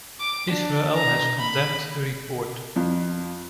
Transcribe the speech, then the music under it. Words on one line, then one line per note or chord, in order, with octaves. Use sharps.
Israel has condemned the report.
D6
D4
A#5
B5
F2